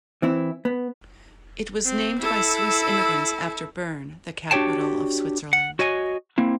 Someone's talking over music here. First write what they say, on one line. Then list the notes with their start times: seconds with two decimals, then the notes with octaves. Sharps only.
It was named by Swiss immigrants after Bern, the capital of Switzerland.
0.22 E3 C4 E4
0.65 B3
1.85 C4
2.21 E4 A4
4.51 D4 F#4 G4 C#5 G5 A5
5.53 F#5
5.79 F#4 C#5 D#5 G#5
6.38 A#3 C4 E4